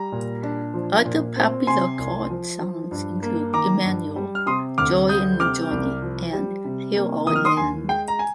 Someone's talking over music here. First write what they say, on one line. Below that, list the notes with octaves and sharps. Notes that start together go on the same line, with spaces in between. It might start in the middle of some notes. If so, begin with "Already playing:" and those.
Other popular Card songs include "Immanuel", "Joy in the Journey", and "Heal Our Land".
Already playing: G3 A#5
A#2
D4
F3
A#2
C4
C3 G#5 C6
C2
F3
F3
G2
A#3
D#3 A#5 D6
G2
G3
F6
C3 C6 D#6
D2 D6 F6
G3 D#6 G6
C3 D6 F6
C2
F3
G3
C3
A#3
D#3 D#6
F6
C6 D#6
D#2 G#5 C6
G#3 G5
A#5
G#5